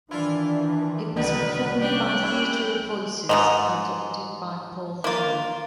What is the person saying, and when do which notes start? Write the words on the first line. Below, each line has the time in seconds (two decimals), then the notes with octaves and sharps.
It was performed by Theatre of Voices, conducted by Paul Hillier.
0.11 D#3 E3 D4 E4 F4
1.16 C2 D3 D#3 F#3 B4
1.82 G3 G#3 C#4 D4 G5 F#6
2.23 E4
3.29 G#2 B2 F3 D#5
5.04 A#3 F4